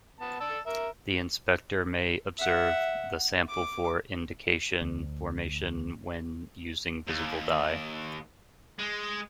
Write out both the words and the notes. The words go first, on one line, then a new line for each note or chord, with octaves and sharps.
The inspector may observe the sample for indication formation when using visible dye.
B3 A5
D5 A5 E6
A#4 E5
E5 F#5
D6
D2
D#2
G#3